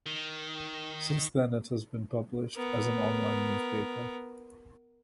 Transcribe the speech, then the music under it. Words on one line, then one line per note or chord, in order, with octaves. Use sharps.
Since then it has been published as an online newspaper.
D#3
B3 A#4